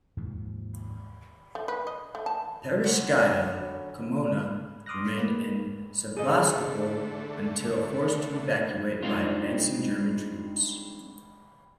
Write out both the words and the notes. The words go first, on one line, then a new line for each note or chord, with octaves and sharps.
"Parizhskaya Kommuna" remained in Sevastopol until forced to evacuate by advancing German troops.
D#2 G#2 C3 F3
A3
B4
D#5
A3
A5
D3 F#3 B3 C#4
C6 D6 D#6 F6 F#6 A#6
G#3 A#3 B4
D3 A3 G#4 D#5
G3 G#3 C4 D4 D#4 F4